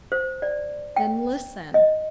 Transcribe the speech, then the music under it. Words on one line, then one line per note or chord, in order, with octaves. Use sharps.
"Then, listen!"
C5
D5
G5
D#5